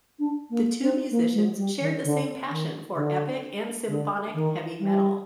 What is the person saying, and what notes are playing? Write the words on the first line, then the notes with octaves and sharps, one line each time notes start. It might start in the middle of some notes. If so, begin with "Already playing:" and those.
The two musicians shared the same passion for epic and symphonic Heavy Metal.
D4
A#3
C4
A#3
G#3
G3
D#3
D3
D#3
D3
D3
D#3
G3